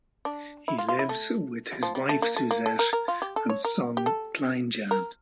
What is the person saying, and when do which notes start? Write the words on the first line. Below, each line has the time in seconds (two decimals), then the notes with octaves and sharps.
He lives with his wife Suzette and son Klein Jan.
0.25 D4
0.68 E4
0.79 F4
0.89 F4
0.99 E4
1.09 A3
1.83 F3
1.95 G3
2.09 A3
2.22 A#3
2.36 A3
2.51 A#3
2.66 A4
2.79 A#4
2.93 A#4
3.08 F4
3.22 G4
3.36 A4
3.50 C#5
3.65 A#4
3.97 G4
4.06 A4
4.91 A#4